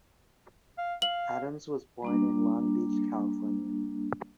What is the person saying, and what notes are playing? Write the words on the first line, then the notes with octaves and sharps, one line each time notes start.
Adams was born in Long Beach, California.
F5
F5 F#7
G3 A#3 D4